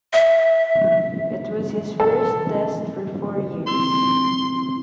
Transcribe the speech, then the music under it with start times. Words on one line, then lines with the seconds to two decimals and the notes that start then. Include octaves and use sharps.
It was his first Test for four years.
0.13 E5
2.00 A4
3.67 C4 E4 C6